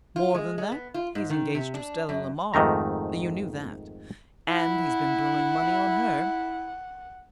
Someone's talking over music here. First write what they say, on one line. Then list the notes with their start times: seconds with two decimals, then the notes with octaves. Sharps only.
More than that, he's engaged to Stella Lamar--you knew that?--and he's been blowing money on her.
0.16 F4
0.35 G#3
0.58 G#3
0.72 B3
0.94 F4
1.15 G#2
1.30 D#3
1.55 C3
1.74 D4
2.09 F#2
2.54 F2 G#2 D#3 A3 A#5
4.49 E4 F#5